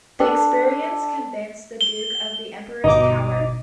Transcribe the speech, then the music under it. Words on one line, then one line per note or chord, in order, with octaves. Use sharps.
The experience convinced the Duke of the Emperor's power.
D4 A4
G7
G1 B2 D#4 D6